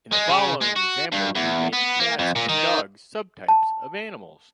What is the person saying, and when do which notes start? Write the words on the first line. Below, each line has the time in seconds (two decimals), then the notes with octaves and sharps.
In the following example we make cats and dogs subtypes of animals.
0.12 G#3
0.28 C#3
0.61 G#3
0.76 F#4
1.12 G2
1.36 E2
1.73 B3
2.00 A#3
2.19 F2
2.36 A#2
2.49 D#3
3.48 A5